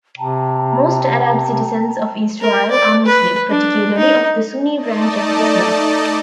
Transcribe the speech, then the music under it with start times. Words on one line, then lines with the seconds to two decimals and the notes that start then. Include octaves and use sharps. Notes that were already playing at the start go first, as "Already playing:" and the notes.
Most Arab citizens of Israel are Muslim, particularly of the Sunni branch of Islam.
0.18 C3 G5 A5 A#5
2.41 A#4
2.71 D5
3.06 B4
3.50 D4
3.98 D#4
4.76 A3 D#4 D5 D#5 A5